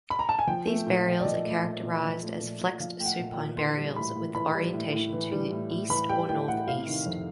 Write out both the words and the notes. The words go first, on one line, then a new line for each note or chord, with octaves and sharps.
These burials are characterized as flexed supine burials with orientation to east or northeast.
B5
A#5
A5
G#5
F3 G5
A3
A#2
A#2
D5
F3 D#5
A3
A#2
A#2
F3
A3
A#2
A#2
F3 F5
A3 G5
F#5
A#2
G5
A#2
E3 C6
G3
A2 B5
A2
E3 B5
G3
A2
A2
E3
G3
A2
A2
E3 B5
G3 G5
A2 G5
A2 F#5
C3 F5
D#3
F2